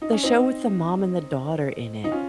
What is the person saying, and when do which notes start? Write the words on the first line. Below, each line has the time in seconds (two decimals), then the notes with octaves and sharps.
the show with the mom and the daughter in it.
0.02 D#4
0.13 C#4
0.23 C4 D#4
2.04 D#4
2.11 C#4 F4